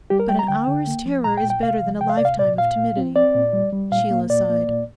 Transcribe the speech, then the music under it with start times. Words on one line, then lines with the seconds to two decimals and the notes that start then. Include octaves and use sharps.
But an hour's terror is better than a lifetime of timidity. Sheila sighed.
0.10 G3 G4
0.20 A#4
0.29 G3 G5
0.39 A#5
0.48 D3 G5
0.68 D3
0.87 A#3
1.05 F3
1.24 A#2 A#5
1.37 G5
1.43 A#2
1.50 G5
1.62 C3 F5
1.82 F3
2.01 C3 G5
2.09 F5
2.17 D5
2.21 C3 F5
2.39 A#2 D5
2.58 A#2 F5
2.77 A#2
2.97 C4
3.16 C4 D5
3.35 A#2
3.53 G3
3.73 G3
3.91 A#2 F5
4.11 A#3
4.30 A#2 D5
4.49 A#3
4.68 A#2